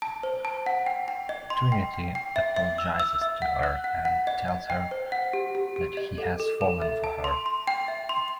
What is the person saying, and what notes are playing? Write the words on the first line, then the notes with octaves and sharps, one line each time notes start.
Trinity apologizes to her, and tells her that he has fallen for her.
A5
C5
A5
F#5
G5
G5
D#5
C6
G5
G5
G5
E5
E5
E6
E6
E5
F#5
F#6
F#5
F#5
D#5
D#5
G5
C5
F#5
G4
G4
G4
D#5
A4
A4
A4
E5
A5
C6
C6
G5
E5
C6